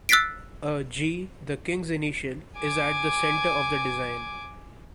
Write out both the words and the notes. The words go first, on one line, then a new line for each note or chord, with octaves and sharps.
A "G", the King's initial, is at the centre of the design.
E6 F#6 A6 B6 C7 D7
G#5 D6